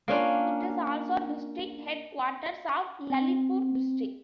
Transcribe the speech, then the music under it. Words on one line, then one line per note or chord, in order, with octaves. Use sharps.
It is also district headquarters of Lalitpur district.
A#3 C#4 D4 F4
C4